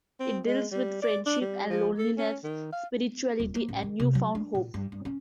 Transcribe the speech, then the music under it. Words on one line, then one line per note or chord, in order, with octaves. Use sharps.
It deals with friendship and loneliness, spirituality and newfound hope.
C4
G#3
G3
D5
D4
G3
F3
A4
C#4
D#3
F5
D#1
A#3
A1
D#3
C3
F#3
D4
A#2
G2
G2
C#4